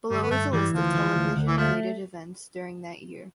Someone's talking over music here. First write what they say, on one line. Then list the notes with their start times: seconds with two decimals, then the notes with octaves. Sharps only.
Below is a list of television-related events during that year.
0.10 G2 G3
0.22 B3
0.31 G2 A3
0.52 E3 G3
0.73 D2 F3
0.95 E3
1.15 D2
1.37 D2
1.48 E3
1.57 F3 A3